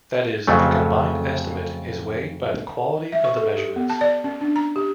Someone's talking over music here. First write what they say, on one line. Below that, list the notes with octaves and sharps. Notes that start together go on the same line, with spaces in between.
That is, the combined estimate is weighted by the quality of the measurements.
F2 C#3 F#3 A3
E5
C#6
A4
G4
B3
A5
D5
C#4
D4
A#5
G4